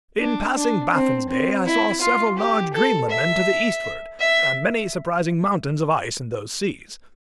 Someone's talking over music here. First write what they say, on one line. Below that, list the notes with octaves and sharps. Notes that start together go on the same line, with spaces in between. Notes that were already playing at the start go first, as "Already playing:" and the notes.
In passing Baffin's Bay I saw several large Greenlandmen to the eastward, and many surprising mountains of ice in those seas.
D4
D4
C4
C4
E4
F4
G4
A4
E5
E5